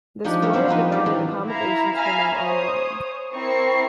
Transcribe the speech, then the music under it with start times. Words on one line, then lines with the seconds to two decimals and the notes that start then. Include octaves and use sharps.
This floor had divided accommodations for men and women.
0.24 F3 G#3 D4 D#4 G4
0.42 G3 A#3 C#4 C#5 E5
0.53 F#3 C4 C5 F5 A#5 B5
0.68 F3 B3 D#4 B4
0.92 F#3 G4 D5 F5
1.06 E3 C4 D4
1.47 E4 F5 A#5
1.95 E5 F5 G#5 A#5 B5 F6
2.33 C5 C#5 D#6
3.32 C4 E4 A#4 C#6 C7 C#7